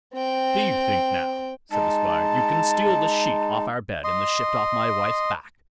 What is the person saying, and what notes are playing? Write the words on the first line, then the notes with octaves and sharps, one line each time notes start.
'Do you think, now', said the Squire, 'you can steal the sheet off our bed, and the shift off my wife's back.
C4 G5
G#3 D#4 A5
D#5 C6